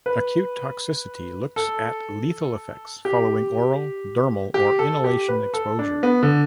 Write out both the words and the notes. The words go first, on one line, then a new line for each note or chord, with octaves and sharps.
Acute toxicity looks at lethal effects following oral, dermal or inhalation exposure.
B4
A4
G4
G4
A4
G4
B4
A4
D4
B3
D3